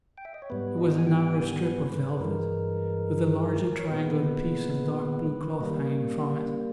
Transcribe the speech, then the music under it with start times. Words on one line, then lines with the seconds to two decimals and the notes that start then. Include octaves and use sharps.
It was a narrow strip of velvet with a larger triangular piece of dark blue cloth hanging from it.
0.18 G5
0.25 E5
0.34 D#5
0.42 C#5
0.50 G#2 G3 B3 B4
0.78 D#5
0.98 G#5
1.07 G5
1.35 G#5
1.63 B4
1.92 B4
2.20 G2 E3 G#3 A#4
3.79 C#5
3.90 A#2 G#3 B3 B4
5.60 G3 A#3 D#5